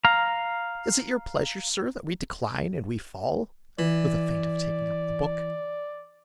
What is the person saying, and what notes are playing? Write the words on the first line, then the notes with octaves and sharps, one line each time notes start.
Is it your pleasure, sir, that we decline and we fall?' with a feint of taking up the book.
F5 A#5
E3 D5